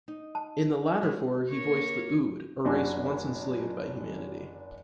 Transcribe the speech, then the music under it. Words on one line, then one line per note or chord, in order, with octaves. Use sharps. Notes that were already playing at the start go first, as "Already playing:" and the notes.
In the latter four he voiced the Ood, a race once enslaved by humanity.
D#4
A5
G3 G#3
A#3 C#5
F#1 D4 F#4 G#5